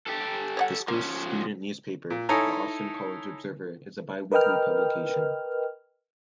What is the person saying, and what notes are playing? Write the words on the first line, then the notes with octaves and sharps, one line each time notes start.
The school's student newspaper, the Austin College "Observer", is a bi-weekly publication.
G4 A4
C#5 D5 F#5
F3 A#3 C#4
A#2
D#4 E4 A4 C#5 G#5 A#5
A#4 B4 D#5 G5 F6